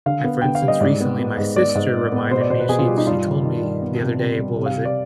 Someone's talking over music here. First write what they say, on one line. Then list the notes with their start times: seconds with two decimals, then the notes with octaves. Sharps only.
I for instance, recently my sister reminded me, she she told me the other day what was it?
0.06 D3 F5
0.24 B3
0.42 D3 G5
0.55 F5
0.62 G3
0.68 D#5
0.81 G#2 D5
1.00 B3
1.18 B3
1.38 G#2
1.56 B3 D5
1.75 G#2
1.94 B3
2.12 B3
2.31 B2 C5
2.41 D5
2.50 B2 C5
2.60 B4
2.69 B2 G#4
2.78 F4
2.88 G3 G4
2.98 D#4
3.07 G2 F4
3.26 D#3
3.44 D#3
3.63 G2
3.82 B3
4.00 C3
4.19 C3
4.38 G3
4.57 C3
4.66 F5
4.76 C3
4.85 D5